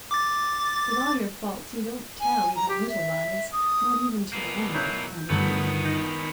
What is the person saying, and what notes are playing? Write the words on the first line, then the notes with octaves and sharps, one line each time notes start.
With all your faults, you don't tell even little lies; not even to a woman--I believe.
D6 A6
G#5
A#5
G4
E5
D#6
B2 A#3
F#3 E4 C#5 G6
G1 D#3 F#3 G3 A3 B3
D#4